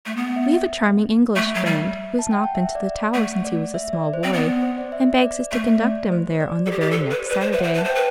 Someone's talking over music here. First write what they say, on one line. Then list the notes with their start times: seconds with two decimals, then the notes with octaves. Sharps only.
We have a charming English friend who has not been to the Tower since he was a small boy, and begs us to conduct him there on the very next Saturday.
0.06 A3
0.17 B3
0.36 E5
1.36 A3 E5
1.55 F#3
1.65 G3
2.19 A5
2.31 G5
2.44 F#5
2.55 E5
2.75 D5
2.95 D5
3.14 A3 F#5
3.44 D5
3.74 E5
3.93 D5
4.14 C5
4.24 C4
4.33 B3 D5
4.47 C5
4.62 C5
4.78 D5
4.92 E5
5.22 D5
5.52 A3 E5
5.82 D5
6.12 C5
6.40 D5
6.66 A4
6.70 G4 D5
6.81 G4
6.91 A4
7.01 C5
7.11 B4
7.26 C5
7.30 B4 D5
7.40 C5
7.52 B4 E5
7.60 C5 F#5
7.74 B4 A5
7.84 C5
7.90 G5
7.95 B4